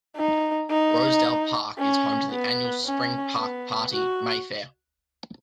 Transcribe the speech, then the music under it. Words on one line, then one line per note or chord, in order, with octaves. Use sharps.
Rosedale Park is home to the annual spring park party, Mayfair.
D#4
D#4
C#4
B3
C#4
B3
F#4